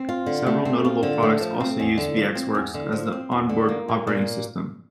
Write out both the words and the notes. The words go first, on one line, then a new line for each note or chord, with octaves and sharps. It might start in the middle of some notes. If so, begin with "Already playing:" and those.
Several notable products also use VxWorks as the onboard operating system.
Already playing: C4
F4
D3
A3
C4
F4
D3
A3
F3
C4
E2
D3
F3
C4
E2
D3
F3
C4
E2
D3
A#3
A#2
A#2